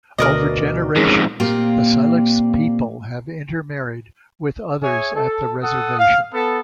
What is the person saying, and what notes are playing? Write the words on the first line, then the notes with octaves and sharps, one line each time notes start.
Over generations the Siletz people have intermarried with others at the reservation.
D2 B2 A#4 D5 D#5
F2 G#2 C#4 G#4 A#4
A#2 A#3 C4 F4 G4
G#4 C#5 E5 G#5
A4
A4 F#5 D#6
F5
B3 A4